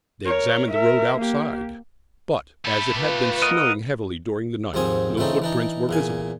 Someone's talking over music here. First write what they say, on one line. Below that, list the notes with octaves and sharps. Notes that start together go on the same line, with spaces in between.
They examined the road outside, but, as it had been snowing heavily during the night, no footprints were visible.
A#4 C#5
A#4 E5
A#3 G4
A3 G4 B5
F4 B4
A#4 D#5 F#5
D#2 G#2 F3 C4 G#5 D#6
C#3 E3 A3 C4 D4 D#4
E3 D4 D#4
E2 A#2 G#5